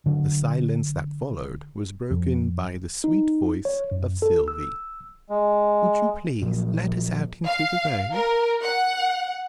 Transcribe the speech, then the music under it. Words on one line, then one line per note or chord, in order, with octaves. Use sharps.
The silence that followed was broken by the sweet voice of Sylvie. "Would you please let us out into the road?"
D3 F#3
F2
D#4
C#5
F#2
A4
E6
G#3
A#1 A#2 F3 F#3
F5
A#4
F#5